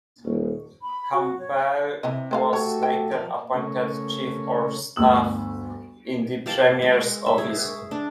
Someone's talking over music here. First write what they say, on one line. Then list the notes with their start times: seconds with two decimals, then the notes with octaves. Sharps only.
Campbell was later appointed Chief of Staff in the Premier's Office.
0.25 D#1
0.82 B5
1.13 F#4
1.39 C#5
2.03 C3 E3 D#5
2.31 G#3 A3 G4 A4 B4 F5
2.53 F#4 C#5
2.83 G5
3.11 F3 A#4
3.54 C#3 A3 C#4 A#4 C#5
4.96 G1 D2 E6 F#7
6.46 G4 A#4 F5 A5
6.82 G#3
7.26 E5
7.38 G#4
7.91 D4